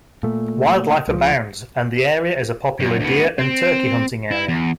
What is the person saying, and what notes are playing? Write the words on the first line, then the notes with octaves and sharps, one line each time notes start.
Wildlife abounds and the area is a popular deer and turkey hunting area.
A#2 A3
C#2 F3
F#2
D2 B3
C4
E4
E2